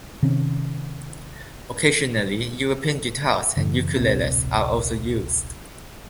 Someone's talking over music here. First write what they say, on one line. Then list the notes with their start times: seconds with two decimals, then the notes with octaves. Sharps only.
Occasionally, European guitars and ukuleles are also used.
0.22 C3 D#3 C4 C#4
3.56 F#2 C#3 E3
3.96 D1 A#1 C3 C4